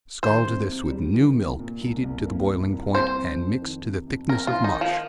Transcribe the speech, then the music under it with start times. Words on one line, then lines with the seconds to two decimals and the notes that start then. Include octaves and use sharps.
Scald this with new milk heated to the boiling point and mix to the thickness of mush.
0.23 D#3 C5
0.46 C3
0.68 C3
0.91 G3
1.14 D#3
1.36 C3
1.59 A#2
1.81 C2
2.04 C2
2.26 A#3
2.49 A#2
2.72 C2
2.95 C3 C5
3.17 F2
3.39 F2
3.62 D#3
3.85 C3
4.08 F2
4.29 C4 A#4
4.47 F4
4.53 D#3
4.64 D#4
4.75 A#4
4.81 F3